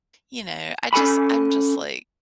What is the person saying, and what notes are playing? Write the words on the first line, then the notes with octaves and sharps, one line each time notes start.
you know, I just, I'm just, like
C#4 A4 G#5 B5